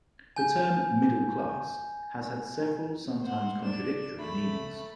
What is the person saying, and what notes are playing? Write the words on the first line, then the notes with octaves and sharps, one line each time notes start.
The term "middle class" has had several, sometimes contradictory, meanings.
G#5 G6
C5 F#5
D4 E7
A3 B5